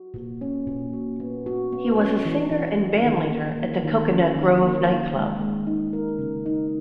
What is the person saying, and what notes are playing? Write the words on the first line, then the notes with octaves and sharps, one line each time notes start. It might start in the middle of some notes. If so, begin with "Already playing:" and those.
He was a singer and bandleader at the Cocoanut Grove night club.
Already playing: F#4
A#2
C#4
A#2
F#4
B3
F#4
B3
C#4
E3
E3
G#4
D#3
A#3
A#3
D#3
C#4
D#3
A#3
A#3
G#3
G#3
D#4
A#4
C#3
D#4